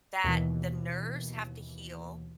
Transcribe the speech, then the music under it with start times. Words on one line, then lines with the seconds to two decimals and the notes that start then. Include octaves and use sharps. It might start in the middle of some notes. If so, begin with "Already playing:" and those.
that the nerves have to heal
0.24 D#2 B2 E3